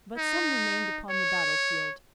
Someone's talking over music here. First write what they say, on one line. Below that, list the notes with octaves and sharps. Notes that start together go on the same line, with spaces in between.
But some remained upon the battlefield.
D#4
C#5